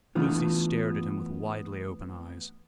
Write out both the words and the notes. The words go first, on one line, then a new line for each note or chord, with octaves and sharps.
Lucy stared at him with widely-open eyes.
E3 A3 B3 D4 F4